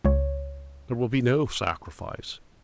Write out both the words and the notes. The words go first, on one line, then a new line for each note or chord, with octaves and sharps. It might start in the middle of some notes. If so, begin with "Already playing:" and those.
There will be no sacrifice.
C#2 C#5